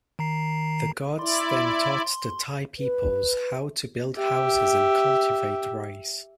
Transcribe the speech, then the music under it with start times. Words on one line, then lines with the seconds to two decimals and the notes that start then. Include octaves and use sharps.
The gods then taught the Tai peoples how to build houses and cultivate rice.
0.19 D#3 A#5 C7
1.19 E4 D5 C6
2.79 B4
4.17 G4 E5